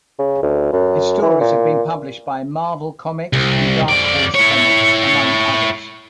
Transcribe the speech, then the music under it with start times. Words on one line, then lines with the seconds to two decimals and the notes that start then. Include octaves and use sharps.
His stories have been published by Marvel Comics and Dark Horse Comics, among others.
0.19 C#3
0.42 D2
0.73 F#2
1.22 E3
1.41 A#2
3.33 C2
3.89 F2 D5
4.35 E4 C#5